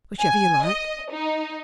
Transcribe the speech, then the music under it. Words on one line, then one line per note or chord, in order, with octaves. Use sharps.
"Whichever you like."
G#5
D#5
D#4